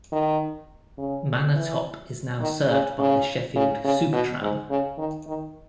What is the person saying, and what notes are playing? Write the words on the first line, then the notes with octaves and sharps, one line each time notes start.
Manor Top is now served by the Sheffield Supertram.
D#3
C#3
E3
D#3
C#3
C#3
C#3
C#3
B2
G#2
C#3
D#3
D#3